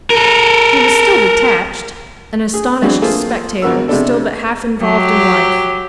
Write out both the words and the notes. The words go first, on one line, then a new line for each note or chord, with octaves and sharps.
He was still detached, an astonished spectator, still but half involved in life.
A4 A#4
G#4
D3 E3 F#3 G#3 C4 D4
A3 A#3 F4 G#4 C5
G#1 B3 F#4 A#4 E6
C3 G#3 B3 D4 A4
F#3 G4